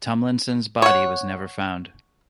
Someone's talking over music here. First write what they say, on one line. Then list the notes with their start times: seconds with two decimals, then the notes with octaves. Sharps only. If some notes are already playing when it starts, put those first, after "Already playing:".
Tumlinson's body was never found.
0.82 C#5 F#5